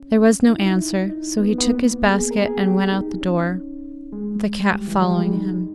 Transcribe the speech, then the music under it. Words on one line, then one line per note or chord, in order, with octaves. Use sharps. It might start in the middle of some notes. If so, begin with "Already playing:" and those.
There was no answer, so he took his basket and went out the door, the cat following him.
Already playing: C#4
D#4
E4
D#4
D#4
B3
B3
A#3
B3
G#4
A#4
G#4
G4
D#4
C#4
G#3
G3
E3
G3
G#3
D#4